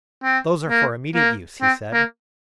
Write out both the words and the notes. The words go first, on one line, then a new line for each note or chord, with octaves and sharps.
"Those are for immediate use," he said.
C4
A#3
A#3
C4
A#3